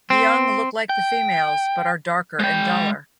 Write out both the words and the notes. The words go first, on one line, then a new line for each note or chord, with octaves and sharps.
The young look like the females, but are darker and duller.
C4
G5
G#3 G5